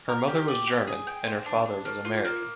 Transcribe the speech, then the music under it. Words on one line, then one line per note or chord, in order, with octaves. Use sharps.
Her mother was German, and her father was American.
A#4
G4
D5
G4
G#4
G5
C5
D4
D4
A#3
F4
A#3